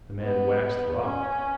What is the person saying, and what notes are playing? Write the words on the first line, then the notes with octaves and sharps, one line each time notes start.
The man waxed wroth.
B3
C#4